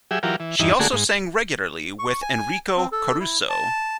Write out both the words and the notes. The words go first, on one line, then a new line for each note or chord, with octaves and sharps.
She also sang regularly with Enrico Caruso.
F#3 G4 G#4 E5
E3 F#3 F4 G4 A#4
E3
E2 G2 E3 D#4
D3 A3 A#3 F#4 G#4
G#2
C#6
G#5
C4
A4
E4
A5